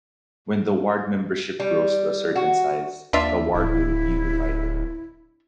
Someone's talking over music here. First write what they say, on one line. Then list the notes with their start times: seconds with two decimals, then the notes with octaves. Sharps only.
When the ward membership grows to a certain size, the ward will be divided.
1.60 G3
2.36 F#4
3.13 D#2 D4 F4 E5
3.54 D1 E4